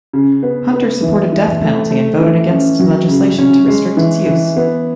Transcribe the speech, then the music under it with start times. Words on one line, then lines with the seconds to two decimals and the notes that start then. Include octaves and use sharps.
Hunter supported death penalty and voted against legislation to restrict its use.
0.13 C#3
0.43 B3
0.73 B3
1.02 E3
1.32 E3
1.61 A3
1.90 A3
2.20 E3
2.50 C#4
2.80 F#3
3.09 C#3
3.38 C#4
3.68 G#3
3.97 E3
4.26 E3
4.57 B3